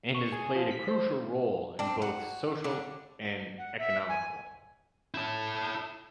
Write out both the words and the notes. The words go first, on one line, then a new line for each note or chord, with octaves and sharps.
And has played a crucial role in both social and economical.
C#6
G#4
F3
B6
C5
C4 D4
F#4
D3
F#5
E5
G#5
E4 A5